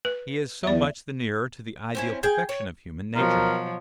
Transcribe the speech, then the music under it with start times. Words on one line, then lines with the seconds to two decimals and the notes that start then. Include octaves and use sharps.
He is so much the nearer to the ideal perfection of human nature.
0.05 B4
0.63 E2 D5 E5
1.95 C4 C#4 E4
2.23 G#4 G5
2.49 C#5
3.15 B2 F3 F#3 A#4